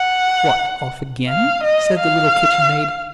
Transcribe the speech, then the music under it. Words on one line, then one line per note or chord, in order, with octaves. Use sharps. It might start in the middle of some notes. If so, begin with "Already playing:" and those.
"What, off again?" said the little kitchen-maid.
Already playing: F#5
F5
D#5
F5